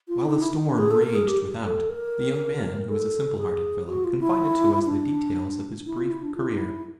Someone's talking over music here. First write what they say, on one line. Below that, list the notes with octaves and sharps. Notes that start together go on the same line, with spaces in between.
While the storm raged without, the young man, who was a simple-hearted fellow, confided to us the details of his brief career.
F4
D#4
E4
D#4
D4
G#4
A4
A#4
G#4
G4
A4
A#4
A4
G#4
F#4
F4
E4
D4
E4
F4
E4
D4
F4
E4
D#4
E4